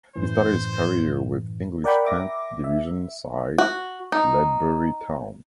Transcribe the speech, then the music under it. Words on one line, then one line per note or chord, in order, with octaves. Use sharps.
He started his career with English tenth division side Ledbury Town.
F#2 A2 E3 C5
A#4 D5 F#5 G5 B5
E5 D6 A#6
E5
F#4
D#4